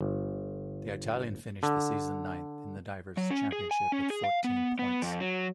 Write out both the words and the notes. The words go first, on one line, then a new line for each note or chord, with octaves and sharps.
The Italian finished the season ninth in the Divers' Championship with fourteen points.
G1
D3
F#3
C#4
G#4
G#5
C#4
G#4
F5
B3
B3
F2
F#3